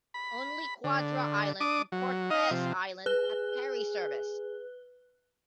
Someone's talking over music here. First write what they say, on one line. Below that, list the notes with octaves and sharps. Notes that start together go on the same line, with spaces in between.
Only Quadra Island and Cortes Island have ferry service.
B5
D3
D4 D6 D#6
F#3
D#4 D#5 F5
C3 F3
G#4 B4 F#6 G7